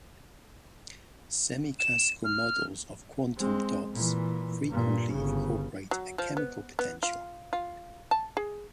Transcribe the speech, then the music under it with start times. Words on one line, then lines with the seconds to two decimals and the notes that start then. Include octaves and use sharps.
Semiclassical models of quantum dots frequently incorporate a chemical potential.
1.79 E7
2.24 F6
3.37 G#3 C4
3.94 A#2 E3
4.69 G2 A#2
5.12 G1 C#3
5.91 F#3
6.18 F3
6.37 B3
6.79 B3
7.03 F4
7.53 F4
8.11 A5
8.37 G#4